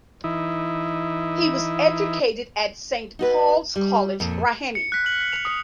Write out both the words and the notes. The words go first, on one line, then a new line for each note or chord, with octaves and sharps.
He was educated at Saint Paul's College, Raheny.
E3 D#4 E4
D#4 F#4 B4
G3
F2 A#2
C#7
F#6 B6
F6 F#7
B6
F7
D#6 C#7